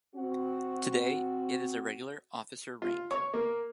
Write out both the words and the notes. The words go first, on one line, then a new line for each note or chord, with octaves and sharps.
Today, it is a regular officer rank.
C4 F#4
F4
C#5
A#3